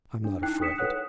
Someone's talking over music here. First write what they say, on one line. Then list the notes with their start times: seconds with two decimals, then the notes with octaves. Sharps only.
"I'm not afraid."
0.24 D4
0.43 D#4 E4 G5 F#6 C7
0.62 D#6 B6 C#7 E7
0.78 A4 B4 C#5 F#5 D#6 F#6